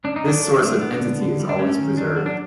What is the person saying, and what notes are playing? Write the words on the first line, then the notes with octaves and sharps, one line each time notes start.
This source of entity is always preserved.
C#4 D4
D#4
F#3 D4
F#3
A3
B3
D3
D3
G3
D4
A3 C#4
D#3
D#3 D4
F#3
D4